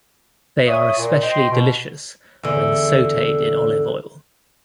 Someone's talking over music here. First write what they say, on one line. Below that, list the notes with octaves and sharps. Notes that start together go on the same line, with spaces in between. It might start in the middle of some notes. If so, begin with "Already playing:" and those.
They are especially delicious when sauteed in olive oil.
C#5 E5 D#6
A#2
C4 D#5 G5 C6
B2
E2 D3